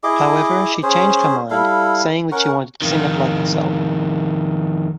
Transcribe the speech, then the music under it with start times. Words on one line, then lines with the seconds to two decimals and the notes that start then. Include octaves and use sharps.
However, she changed her mind, saying that she wanted to sing it like herself.
0.03 E4 G#4 D#5 D6
0.83 C#4 G#4 C5
1.50 G3 E4 A4 F5
2.32 C#4 A#4 F#5 C#6
2.82 F2 D#3